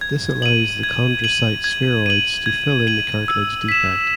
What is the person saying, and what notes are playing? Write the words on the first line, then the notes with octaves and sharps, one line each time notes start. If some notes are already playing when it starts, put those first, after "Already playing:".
This allows the chondrocyte spheroids to fill in the cartilage defect.
G#6
D#7 F#7
G#6
D#7 F#7
G#6
D#7 F#7
G#6
D#7 F#7
E6
B6 E7